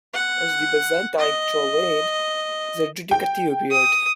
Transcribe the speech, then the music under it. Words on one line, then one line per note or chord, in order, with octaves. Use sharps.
As the Byzantine control waned, the Giudicati appeared.
F#5
D#5
G5
D#6